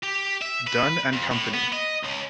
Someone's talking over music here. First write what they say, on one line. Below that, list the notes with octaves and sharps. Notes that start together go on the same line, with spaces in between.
Dun and Company.
G4
E5
B4
F2
A2
B3
D#5
C#2